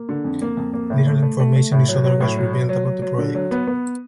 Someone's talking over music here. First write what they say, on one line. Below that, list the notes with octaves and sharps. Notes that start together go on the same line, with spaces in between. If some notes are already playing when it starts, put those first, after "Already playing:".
Little information is otherwise revealed about the project.
Already playing: A#3
D3
F2
A#3
F2
A#3
A2
A3
A3
A3
A3
A2
F#3
F#3
A2
F#3
F#3
F#3
F#3
F#3
D3
F#3
B3
B3